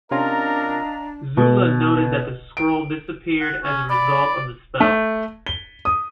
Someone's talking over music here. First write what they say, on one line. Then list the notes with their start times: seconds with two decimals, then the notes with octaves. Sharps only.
Zula noted that the scroll disappeared as a result of the spell.
0.11 C3 C#4 D4 F4 A#4 D#5 F5 A#5
1.37 B2
2.57 D7
3.41 F#5
3.63 C#4
3.90 D5 B5
4.80 A3
5.47 G7
5.85 D#6